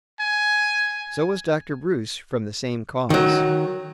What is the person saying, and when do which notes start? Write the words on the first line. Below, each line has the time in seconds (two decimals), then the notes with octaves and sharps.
So was Dr. Bruce from the same cause.
0.20 G#5
3.10 D#3 F#3